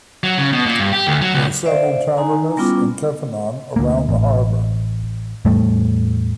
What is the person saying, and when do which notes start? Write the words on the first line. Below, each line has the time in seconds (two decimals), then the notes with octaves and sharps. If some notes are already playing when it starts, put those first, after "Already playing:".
There are several Tavernas and Kafenons around the harbour.
0.23 F#3
0.38 C#3
0.53 B2
0.66 A#2
0.80 G2
0.93 G4
1.07 D2
1.21 F#3
1.35 C#2
1.65 C5 D5 E5 F5
2.17 D#4 G#5 A#5
2.57 G3 B3 C#4 E4 F4 D6
3.76 D2 A#3
4.09 A1
5.45 E2 A2 G3 A3